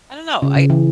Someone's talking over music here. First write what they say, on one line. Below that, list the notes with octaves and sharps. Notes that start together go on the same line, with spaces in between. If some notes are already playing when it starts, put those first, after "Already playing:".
I don't know, I
C#3
C#3
E3